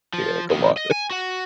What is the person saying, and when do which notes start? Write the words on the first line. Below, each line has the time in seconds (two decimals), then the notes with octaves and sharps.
Yeah, come on.
0.14 F3
0.50 F2 D#3
0.77 D#5
0.91 G#5
1.11 F#4 F#5